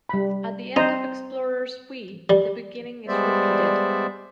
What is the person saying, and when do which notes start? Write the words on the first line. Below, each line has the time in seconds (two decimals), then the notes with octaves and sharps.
At the end of "Explorers We" the beginning is repeated.
0.09 G3 B5
0.76 C4 D#4 C5 A#5
2.30 G3
3.07 G3 G#3 B3 C5 D5 E5